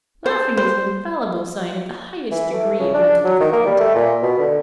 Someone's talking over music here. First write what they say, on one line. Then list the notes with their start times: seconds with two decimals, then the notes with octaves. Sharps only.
Laughing is an infallible sign of the highest degree of mental development.
0.26 C5
0.57 C5
2.31 E3
2.52 A3
2.79 C#3
2.94 D4
3.25 F#3
3.40 D#3
3.53 A#3
3.66 G3
3.79 A3
3.95 A#2
4.22 B2
4.39 D3